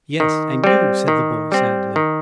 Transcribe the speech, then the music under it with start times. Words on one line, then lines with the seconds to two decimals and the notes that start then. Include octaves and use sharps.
"Yes; and you," said the boy sadly.
0.20 D#3
0.64 G3 C4
1.08 D#3
1.52 G3 C4
1.96 D#3